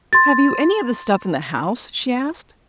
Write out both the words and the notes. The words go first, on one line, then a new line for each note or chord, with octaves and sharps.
"Have you any of the stuff in the house?" she asked.
C6 A6